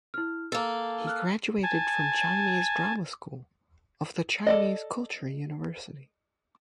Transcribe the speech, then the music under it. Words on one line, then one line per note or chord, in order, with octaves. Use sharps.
He graduated from Chinese drama school of the Chinese Culture University.
E4 F6
A#3 A4 E6
F6 F#6
G#5 A5
A4 D5 D#5